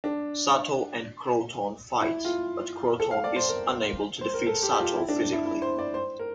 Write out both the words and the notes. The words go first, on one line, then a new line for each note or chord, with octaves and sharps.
Sato and Kroton fight, but Kroton is unable to defeat Sato physically.
D4
E4
F4
A4
F5
D5
C5
A#4
C5
A#4
A4
G4
G4
F4
E4
D4
D4
E4
E4
C5
D5
C5
A#4